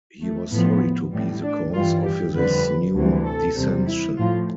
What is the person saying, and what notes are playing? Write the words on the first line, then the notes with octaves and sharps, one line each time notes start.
He was sorry to be the cause of this new dissension.
A3
A2 F3 B3
A2 E3 G3
D4
G2 E3 G3 F4
G4
F2 D3 G3 B4
D2 C3 E3 G3
A4
E2 C3 G3
E4
A2 F3 F4